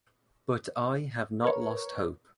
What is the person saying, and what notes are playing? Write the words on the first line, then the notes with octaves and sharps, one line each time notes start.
But I have not lost hope.
A#4 B4 C#5